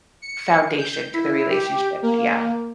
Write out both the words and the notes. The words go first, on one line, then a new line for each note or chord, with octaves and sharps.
foundation to the relationship, yeah.
C#7
G6
E4
G4
A#3